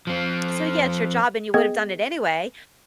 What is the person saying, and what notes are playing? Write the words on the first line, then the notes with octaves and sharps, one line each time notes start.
so yeah, it's your job and you would have done it anyway,
F3 C4
B3 G#4 D#5 G5 G#6